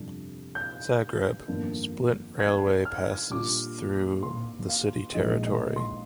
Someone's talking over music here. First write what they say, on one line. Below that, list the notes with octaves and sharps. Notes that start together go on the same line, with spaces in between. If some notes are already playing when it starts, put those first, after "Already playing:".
Zagreb - Split railway passes through the city territory.
Already playing: G1 F2 C3 G3 D4
G6
G1 F2 D#3 A#3 D4
G#6
F6
A#2 G3 D4 F4 D6
C6
F5
A#1 G#2 F3 D#5
D#5
C6